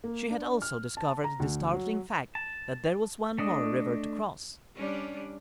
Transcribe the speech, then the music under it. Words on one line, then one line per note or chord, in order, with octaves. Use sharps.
She had also discovered the startling fact that there was one more river to cross.
A#3
D4
F6
A5
A#5
D2
F#3
A5
A3 D4 D#5
G3 C#4 D4